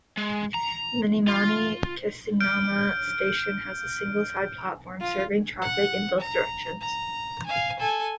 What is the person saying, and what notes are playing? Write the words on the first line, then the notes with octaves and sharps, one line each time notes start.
Minami-Kesennuma Station had a single side platform serving traffic in both directions.
G#3
A#5
F4
F6 G6 D7
F4
F#5
A#5
A#5
F5 G#5
A4 G#5